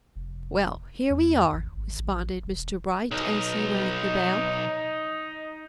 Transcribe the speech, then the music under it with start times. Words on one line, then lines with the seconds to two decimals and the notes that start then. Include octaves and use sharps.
"Well, here we are," responded Mr. Bright, as he rang the bell.
0.16 F1
1.10 E2
1.53 G#1
1.77 G#1
1.98 A1
2.44 E1
3.12 B1 D#4